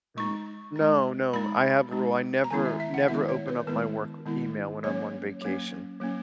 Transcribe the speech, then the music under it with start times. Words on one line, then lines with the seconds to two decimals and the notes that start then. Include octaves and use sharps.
Mm no no, I have a rule, I never, never open up my work email when I'm on vacation,
0.17 G#3 D#4 C#6
0.76 G#3 D#4
1.34 G#3 D#4 B5
1.92 G#3 D#4
2.44 A#5
2.50 D#3 G#3 B3 E4 G#5
2.65 E5
2.80 E5
2.94 F#5
3.08 D#3 G#3 B3 E4 E5
3.29 C#5
3.48 B4
3.67 D#3 G#3 B3 E4 A#4
4.26 D#3 G#3 B3 E4
4.84 F#3 A#3 C#4 C#5
5.42 F#3 A#3 C#4
6.00 F#3 A#3 C#4